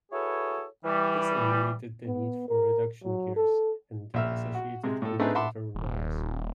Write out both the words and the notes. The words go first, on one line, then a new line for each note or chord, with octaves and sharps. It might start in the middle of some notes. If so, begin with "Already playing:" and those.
This eliminated the need for reduction gears and their associated underwater noise.
E4 F#4 G#4 A4 B4 C#5
E3 G3
B3
A#4
F#3
A4
A#1 E5 F6
F#4
C3 G#3
A2 A4
A3 C4 D4 D#4 G#4 B4
E5 F#5 A5 B5 C6 D6
D#1